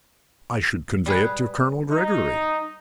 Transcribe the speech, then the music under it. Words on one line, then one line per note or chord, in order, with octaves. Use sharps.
"I should convey it to Colonel Gregory."
G3 G#4 B4
D#4